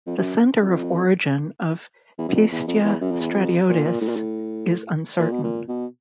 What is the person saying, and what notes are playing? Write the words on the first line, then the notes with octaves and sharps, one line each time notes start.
The center of origin of "Pistia stratiotes" is uncertain.
F2
F#2
F#2
F2
E2
F#2
F2
E2
F2
E2
F#2
F2
E2
F2
A#2
A#2
A2
A#2
A2
A#2
B2
A#2
B2